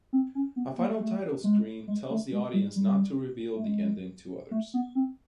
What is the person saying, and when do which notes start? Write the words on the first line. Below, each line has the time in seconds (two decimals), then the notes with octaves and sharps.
A final title screen tells the audience not to reveal the ending to others.
0.13 C4
0.35 C#4
0.56 B3
0.78 A#3
1.00 A3
1.44 G#3
1.88 G#3
2.10 A3
2.32 G#3
2.53 G3
2.76 G3
3.56 A3
3.64 G#3
4.51 A3
4.74 B3
4.95 C4